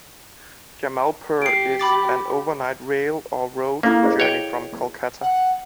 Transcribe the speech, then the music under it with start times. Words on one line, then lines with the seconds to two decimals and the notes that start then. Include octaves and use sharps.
Jamalpur is an overnight rail or road journey from Kolkata.
1.42 G4 C7 D7
1.79 B5 D6 A6
3.83 A#3 E4 A4 F5
4.03 G#4 C5 D#5
4.20 C#5 G5
5.21 F#5